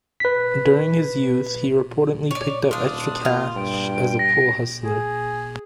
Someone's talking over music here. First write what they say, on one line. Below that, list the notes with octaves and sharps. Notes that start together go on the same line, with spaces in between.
During his youth, he reportedly picked up extra cash as a pool hustler.
B4 B6
C#5 D5
D#1 D4 F4 D#6
A#2 F4
G2 G5
A#6
G#4